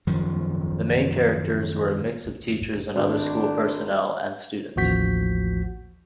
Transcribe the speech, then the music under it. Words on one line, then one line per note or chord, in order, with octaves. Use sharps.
The main characters were a mix of teachers and other school personnel, and students.
F#2 D#3 F3
G#1 D4
A1 D#2 F3 F#4 G6 B6